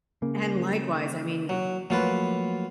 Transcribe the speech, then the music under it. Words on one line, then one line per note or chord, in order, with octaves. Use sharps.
and likewise, I mean
C#3 A#3
F#3
F3 F#3 A3 A#3 F4 B4